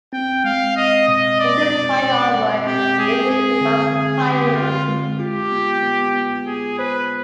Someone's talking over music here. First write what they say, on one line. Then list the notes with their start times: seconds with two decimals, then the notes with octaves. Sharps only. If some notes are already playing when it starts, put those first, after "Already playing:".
From this point onwards, the route becomes Primary.
0.13 C4 G5
0.44 G#3 F5
0.76 C4 D#5
1.08 B2 D#5
1.40 B2 D5
1.71 B2
2.03 B2
2.35 G#3
2.66 C4 G4
2.98 G#3 G#4
3.30 C4 G#4
3.61 D3
3.93 D3 G#4
4.25 D3 G4
4.56 D3 F4
4.88 G#3
5.19 F4 G4
5.52 B3
5.83 B3
6.14 B3
6.47 B3 G#4
6.78 B4 C5